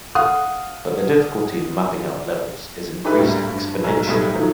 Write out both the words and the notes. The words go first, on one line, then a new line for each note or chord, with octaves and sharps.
But the difficulty of mapping out levels is increased exponentially.
F5 F#5 D#6
D#4 G4 A4 B4 E5
D2 A2 G3 A#3
G2
B1 F#3 A3 G#5 A#5 E6
B1 A2 G3 A4 D#6 G#6
D#3 F3 F#3 A3